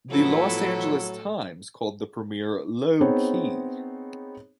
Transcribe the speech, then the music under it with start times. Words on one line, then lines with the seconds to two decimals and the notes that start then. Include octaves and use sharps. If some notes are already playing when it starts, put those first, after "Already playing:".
The "Los Angeles Times" called the premiere "low-key".
0.11 A2 F3 F#3 B3 E4 A4
3.01 B3 C4 D#4 G#4 C5 C#5